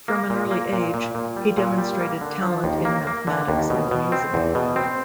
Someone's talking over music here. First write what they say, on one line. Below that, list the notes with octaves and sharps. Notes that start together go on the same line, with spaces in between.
From an early age, he demonstrated talent in mathematics and music.
A#3
A#2
A#3
A#2
A#2
A#2
G3
A#2
G3
A#3
D3
F3
D#2
A#3
A#3
D3
D#2
B2
B2
C4
E2
B2
C4